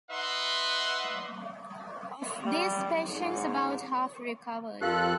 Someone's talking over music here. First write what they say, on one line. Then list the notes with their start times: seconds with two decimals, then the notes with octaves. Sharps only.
Of these patients about half recovered.
0.11 D#4 B4 D#5 E5 F#5 C6
2.44 G3
3.09 G#2
4.81 F2 F4 G4 A4 A#4 F5 F#6